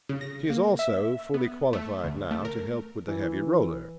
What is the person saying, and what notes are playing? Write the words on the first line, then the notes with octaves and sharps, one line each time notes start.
She is also fully qualified now to help with the heavy roller.
C#3
A#6
A#3
E5
B3
A3
D2
A3
A#4
E3